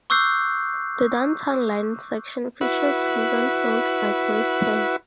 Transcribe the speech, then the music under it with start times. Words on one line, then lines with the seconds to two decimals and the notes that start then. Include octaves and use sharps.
The Downtown Line section features "Woven Field" by Grace Tan.
0.10 C#6 D6 E6 F#6 G6 C7
2.61 E4 F#4 B4